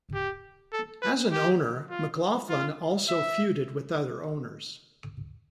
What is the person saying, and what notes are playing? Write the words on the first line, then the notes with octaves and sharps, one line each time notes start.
As an owner, McLaughlin also feuded with other owners.
G4
A4
B4
G4
F4
F4
E5